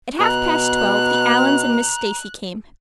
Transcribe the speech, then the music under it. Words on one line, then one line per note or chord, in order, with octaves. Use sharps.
At half past twelve the Allans and Miss Stacy came.
B2 A#5 F#6